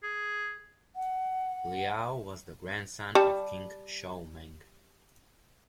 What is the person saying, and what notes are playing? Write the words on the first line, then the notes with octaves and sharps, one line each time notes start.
Liao was the grandson of King Shoumeng.
G#4
F#5
G3 A5